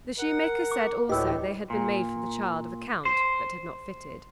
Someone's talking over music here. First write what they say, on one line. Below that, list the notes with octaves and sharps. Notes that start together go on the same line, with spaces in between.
The shoemaker said also they had been made for the child of a count, but had not fitted.
A#4 F#5
D6
D2 A2 G4 B4 D#5 E6
A#2
C5